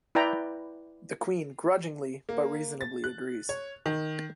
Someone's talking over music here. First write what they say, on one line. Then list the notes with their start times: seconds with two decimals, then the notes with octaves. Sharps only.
The Queen, grudgingly, but reasonably, agrees.
0.15 E4 B4 D5 G5 A#5
2.29 A#3
2.81 A6
3.04 F#6
3.49 C#5
3.86 D#3